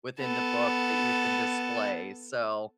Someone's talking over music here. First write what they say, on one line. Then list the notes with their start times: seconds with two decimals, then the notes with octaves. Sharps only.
within the book that you can display, so
0.21 B3 A4